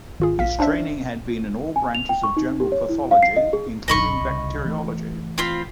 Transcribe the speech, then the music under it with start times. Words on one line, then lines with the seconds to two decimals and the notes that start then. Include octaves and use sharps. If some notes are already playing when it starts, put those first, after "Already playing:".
His training had been in all branches of general pathology including bacteriology.
0.20 G#1 F4 G#4
0.38 A#1 F5 B6
0.59 C#4 D4 C5 E5
1.76 G#5
1.95 F7
2.09 G5
2.24 C#6
2.37 D#4
2.60 G4
2.72 C#5
2.89 E4
3.11 F5
3.23 C7
3.37 D#5
3.53 G#4
3.88 D#1 B1 F#2 D#5 B5 C#6
4.21 C2 C#3
4.65 E3 A3
5.38 C4 F4 B5